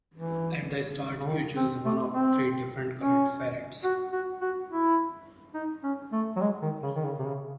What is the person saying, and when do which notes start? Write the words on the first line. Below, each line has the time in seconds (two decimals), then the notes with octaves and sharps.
At the start you choose one of three different coloured ferrets.
0.14 E3
1.20 C#3
1.28 D#3
1.57 C4
1.85 A3
2.14 C4
2.99 C#4
3.84 F#4
4.12 F#4
4.41 F#4
4.70 E4
5.54 D#4
5.83 C#4
6.12 A3
6.36 F#3
6.41 G#3
6.62 D#3
6.83 C#3
6.96 D#3
7.04 C#3
7.19 C3
7.26 C#3